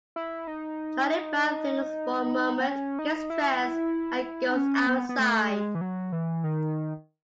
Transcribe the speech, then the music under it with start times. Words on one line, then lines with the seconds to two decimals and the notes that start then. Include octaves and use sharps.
Charlie Brown thinks for a moment, gets dressed, and goes outside.
0.16 E4
0.47 D#4
2.60 B3
2.67 C#4
2.99 D#4
3.30 E4
4.49 D#4
4.56 C#4
4.87 B3
5.09 B3
5.19 A3
5.50 G#3
5.75 E3
5.81 F#3
6.12 E3
6.44 D#3